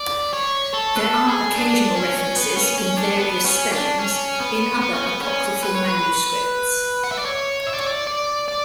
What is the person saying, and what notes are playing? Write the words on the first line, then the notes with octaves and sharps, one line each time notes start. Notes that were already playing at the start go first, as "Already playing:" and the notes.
There are occasional references, in various spellings, in other apocryphal manuscripts.
Already playing: D5
C#5
A4
B4
A4
G#4
D4
C#4
B3
C#4
C#4
D4
B3
C#4
D4
C#4
B3
B3
C#4
B3
C#4
B4
C#5
B4
F#5
E5
D5
C#5
E5
D5
C#5
D5
D5
D5